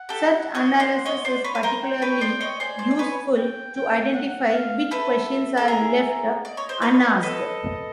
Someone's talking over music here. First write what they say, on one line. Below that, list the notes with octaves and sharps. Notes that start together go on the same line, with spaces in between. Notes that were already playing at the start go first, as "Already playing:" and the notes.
Such analysis is particularly useful to identify which questions are left unasked.
Already playing: F#5
G4 A4
C#5 D#5
C5 D5
C#5 D#5
C5 D5
B4 C#5
B4
A#4 C5
G5
B4 C#5
C5 D5
C#5 D#5
C5 D5 G#5
C5 D5
D5
B4 C#5
G5
G5
F#5
F5
A4 B4 E5
A4
G#4 A#4
D5 D#5
C#5
C5
B4 C#5
A4 B4